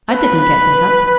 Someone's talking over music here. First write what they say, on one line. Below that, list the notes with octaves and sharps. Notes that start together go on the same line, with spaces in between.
I didn't get this up.
B4